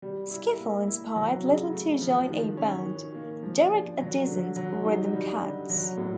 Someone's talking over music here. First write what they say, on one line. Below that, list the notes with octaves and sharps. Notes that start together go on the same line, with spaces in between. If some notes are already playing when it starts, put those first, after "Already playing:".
Skiffle inspired Little to join a band, Derek Addison's Rhythm Katz.
G3
E4
A#3
E4
F#3
C#3
A3
F3
D#3
C#4
D#3
A#3
F3
D4
F#3
D3
F#3
D#4
G3
D3
F#3
A2